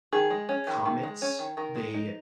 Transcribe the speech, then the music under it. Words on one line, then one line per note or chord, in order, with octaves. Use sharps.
comets, they
D#3 G#4
G#3
C#4
D#3
D#3
G#3
C#4
D#3
D#3 A#4
G#3
D#4